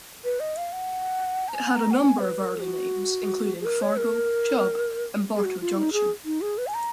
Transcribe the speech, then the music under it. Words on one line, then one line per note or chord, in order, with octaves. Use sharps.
It had a number of early names, including Fargo, Chubb and Bartow Junction.
B4
D#5
F5
F#5
A#5
G#5
A#5
F#5
G#5
B4
A#4
F#4
G#4
A#4
C#5
A#4
G#4
F#4
F4
D#4
G#4
D#4
G#4
B4
G#5
A#5